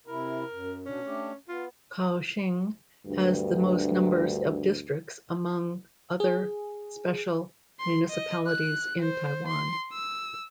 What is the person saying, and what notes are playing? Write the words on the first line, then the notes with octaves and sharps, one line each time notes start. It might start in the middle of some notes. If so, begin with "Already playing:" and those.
Kaohsiung has the most numbers of districts among other special municipalities in Taiwan.
C3 E4 A#4
F#2
B2 C#4 D4
A3 D4 G4
B3 F4
D2 G2
G#4
C6
D#5
F#6
C5
C6
E6